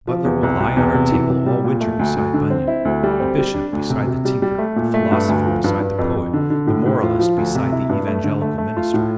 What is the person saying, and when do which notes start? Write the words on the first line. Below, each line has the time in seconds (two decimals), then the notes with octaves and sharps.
Butler will lie on our table all winter beside Bunyan; the bishop beside the tinker, the philosopher beside the poet, the moralist beside the evangelical minister.
0.07 F3
0.25 E2
0.43 C2
0.60 C2
0.77 E2
0.94 C3
1.12 E3
1.30 C3
1.46 G3
1.64 A#2
1.81 A3
1.99 D2
2.16 D2
2.34 D3
2.50 C4
2.67 E4
2.85 D2
3.03 G3
3.20 C4
3.38 G3
3.54 D4
3.73 D2
3.90 C3
4.07 C3
4.25 G3
4.42 G3
4.59 A3
4.76 A#2
4.94 A3
5.12 G2
5.28 D2
5.46 F3
5.64 G2
5.80 G2
5.99 F2
6.16 F2
6.33 D3
6.50 D3
6.67 A2
6.86 A2
7.03 F4
7.19 F3
7.37 D2
7.55 C3
7.72 E4
7.89 G2
8.07 A3
8.24 D3
8.42 A3
8.58 A3
8.77 F4
8.94 A2